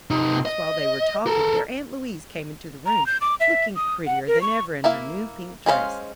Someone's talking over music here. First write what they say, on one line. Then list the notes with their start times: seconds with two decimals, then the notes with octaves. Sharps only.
Almost while they were talking, their aunt Louise came into the room, looking prettier than ever in her new pink dress.
0.10 C3 D#4
0.45 D#5
1.27 A4 A#4
2.86 A#5
3.06 G6
3.21 D6
3.40 E5
3.76 D#6
4.06 F#5
4.27 A#4
4.41 C#6
4.84 A#3 E4 E5 F5
5.66 G#3 C#4 B4 C5 F5